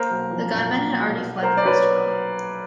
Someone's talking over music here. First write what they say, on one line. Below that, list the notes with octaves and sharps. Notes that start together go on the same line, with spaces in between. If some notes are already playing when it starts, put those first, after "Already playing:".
The gunmen had already fled the restaurant.
Already playing: A#3 A#4 C5
B1
F3
A#2
A#3
B1
B1
B1 A#4 C5
D5
F#3 B4 C#5